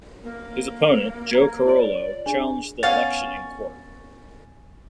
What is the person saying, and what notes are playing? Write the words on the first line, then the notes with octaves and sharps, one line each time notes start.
His opponent, Joe Carollo, challenged the election in court.
A#3
A#5 G#6
F4 C#5 D5 D7
D4 G#4 G#5
B3 C#4 F5 A6